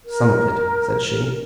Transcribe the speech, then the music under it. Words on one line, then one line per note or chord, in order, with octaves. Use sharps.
"Some of it," said she.
A#4